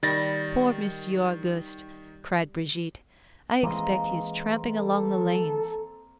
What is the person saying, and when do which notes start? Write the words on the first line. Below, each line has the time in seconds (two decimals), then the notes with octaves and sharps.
"Poor Monsieur Auguste!" cried Brigitte; "I expect he is tramping along the lanes!"
0.03 D#3 G3 A6 A#6
3.63 E3 G#3 A#3 C4 D#5
4.77 A4